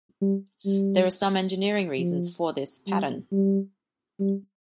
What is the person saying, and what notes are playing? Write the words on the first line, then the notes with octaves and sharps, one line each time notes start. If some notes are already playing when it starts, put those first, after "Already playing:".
There are some engineering reasons for this pattern.
G3
G3
F3
G3
G3
G3